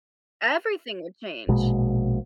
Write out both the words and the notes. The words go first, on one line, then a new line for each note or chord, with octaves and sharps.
Everything would change.
A#1 B2 G#3